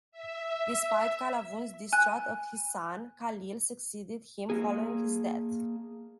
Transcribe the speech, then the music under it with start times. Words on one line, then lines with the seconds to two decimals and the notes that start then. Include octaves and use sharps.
Despite Qalawun's distrust of his son, Khalil succeeded him following his death.
0.12 E5
1.93 G#5 F#6
4.50 A#3 G#4